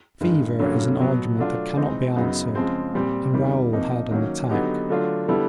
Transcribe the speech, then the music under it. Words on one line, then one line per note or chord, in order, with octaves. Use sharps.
Fever is an argument that cannot be answered, and Raoul had an attack.
G2 D#3 G#3
G2 D3 F#3 A#3 C#4
B2 F#3 B3
F#3 A3 D4 F4
E3 G#3 C4 D#4
F#2 C#3 F#3 B3 D#4
C#3 F3 G#3 C4
A#2 G3 C4
E2 C3 D#3 G3
C3 F3 A#3 D#4
D#3 F#3 A#3 C#4
D3 F#3 B3 D#4 G4
D3 F#3 A3 D4 F4
D3 G3 B3 E4 A4